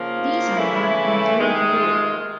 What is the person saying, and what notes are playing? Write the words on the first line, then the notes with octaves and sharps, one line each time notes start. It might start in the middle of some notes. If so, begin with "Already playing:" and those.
These are not included here.
Already playing: C#3 F3 A#3
D#4
C#3 E3 A3 E4
C3 D#3 G#3
F4